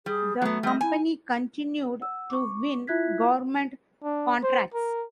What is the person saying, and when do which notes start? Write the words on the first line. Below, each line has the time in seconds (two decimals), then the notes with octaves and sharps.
The company continued to win government contracts.
0.06 G3 G#4
0.42 F#3 A3 B3
0.63 G3 D#5
0.81 E4 G#5
2.01 F#5 E6
2.30 C#6 D6
2.87 E4 F4 E5 F#6 G#6 B6
4.04 D4
4.43 C5
4.74 A#4